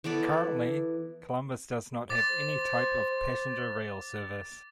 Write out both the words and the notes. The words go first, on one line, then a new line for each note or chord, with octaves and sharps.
Currently, Columbus does not have any type of passenger rail service.
E3 B3 A4 D5
C5 D6 A6